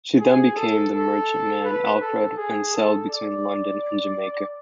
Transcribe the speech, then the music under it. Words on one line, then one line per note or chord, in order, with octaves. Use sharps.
She then became the merchantman "Alfred", and sailed between London and Jamaica.
G#4
A4
A4
B4
A4
G#4
A4
D5